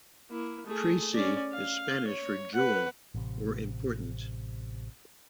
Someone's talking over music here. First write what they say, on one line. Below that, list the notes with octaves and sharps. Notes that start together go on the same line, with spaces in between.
"Presea" is Spanish for "jewel" or "important".
A#3 E4
A3 G#4
C#4 D5
F5
C#5
B4 F#5
A1 C3